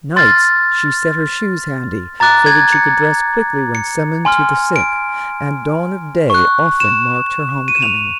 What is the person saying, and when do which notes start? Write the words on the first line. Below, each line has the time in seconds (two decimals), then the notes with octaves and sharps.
Nights, she set her shoes handy, so that she could dress quickly when summoned to the sick; and dawn of day often marked her home-coming.
0.16 C6 F6 A6
2.20 A#5 D6 F#6 A6
2.46 G#6
2.72 C#7
3.75 C#7
4.25 G#5 C6 F6
4.76 D7
6.30 C#6 F#6
6.80 E7
7.68 D#7
7.76 E7
7.82 F7